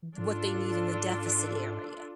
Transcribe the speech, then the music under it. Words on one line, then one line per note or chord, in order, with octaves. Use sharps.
what they need in the deficit area.
G#2 D4 F4 A4